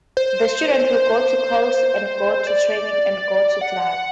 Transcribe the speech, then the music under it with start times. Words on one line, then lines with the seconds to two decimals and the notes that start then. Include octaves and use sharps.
The students will go to calls and go to training and go to class.
0.17 C5
2.47 D5
3.61 F#5